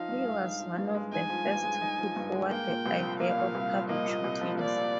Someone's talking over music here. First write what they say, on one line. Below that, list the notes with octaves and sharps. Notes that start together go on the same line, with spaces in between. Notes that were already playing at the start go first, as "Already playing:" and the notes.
He was one of the first to put forward the idea of public shootings.
Already playing: F3 D#4 F5
G2
G#3
D#4
F3
G2
G#3
D#4 G#5
F3
G2
G#3
D#4
F3
G2
G#3
A#3 G5
A#2
C2
F3
A#3 F5
A#2
C2
F3
A#3 D#5
A#2
C2
F3
A#3 D5
A#2